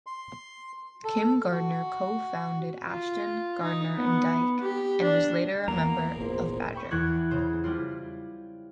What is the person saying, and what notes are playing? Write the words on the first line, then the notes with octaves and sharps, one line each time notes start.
Kim Gardner co-formed Ashton, Gardner and Dyke and was later a member of Badger.
C6
A4
F#4
F4
D#4
B3
G4
D4
E2 A#3 A#5
D#1 G#1 E2 A#2 A#4 C5
E5 G5 B5 C#6
E2 E3 C#6 F#6 G#6
C#3 C5
G3 C4 E4 F4